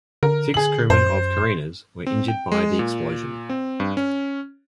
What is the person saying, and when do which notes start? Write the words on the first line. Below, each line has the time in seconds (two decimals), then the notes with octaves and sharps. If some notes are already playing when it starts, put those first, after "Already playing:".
Six crewmen of "Carina"s were injured by the explosion.
0.23 D3 A#4
0.54 G#4 F#7
0.90 F#2 C5
2.07 C4
2.28 G5
2.52 G#3
2.79 A#2
3.49 C4
3.80 G2
3.97 C#4